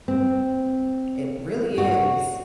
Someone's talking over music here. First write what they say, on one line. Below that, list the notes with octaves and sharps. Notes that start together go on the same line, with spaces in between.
It really is
C4
F#4